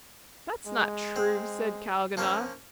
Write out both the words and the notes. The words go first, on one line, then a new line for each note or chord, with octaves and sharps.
"That's not true," said Kalganov.
G#3
C4
F3 A#3 C#4